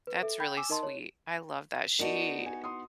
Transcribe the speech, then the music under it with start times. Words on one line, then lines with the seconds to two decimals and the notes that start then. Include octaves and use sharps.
That's really sweet. I love that. She
0.07 B4
0.23 A4 E5
0.40 G5 B5 G6
0.57 G#5 D6 E6 E7
0.69 D#4 A#4 D#5 A5 C6
0.83 C#5
1.99 B3 D#4 F#4 A#4 D5 A5
2.46 G#5
2.64 C6 D#6